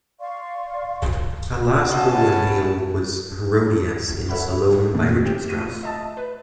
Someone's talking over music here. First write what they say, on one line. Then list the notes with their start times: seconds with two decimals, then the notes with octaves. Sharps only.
Her last role in Halle was Herodias in "Salome" by Richard Strauss.
0.20 D5 F5 C6 C#6
1.92 C#4 E4 F#4 D#5 F5 F#5 A5
4.29 A4 C#5 E5 F#5 B5
4.94 A#2 D#3 A3 A#3
5.21 A3 C4 G4
5.48 A3 F4 D#7
5.83 D#5 E5 A5
6.17 B4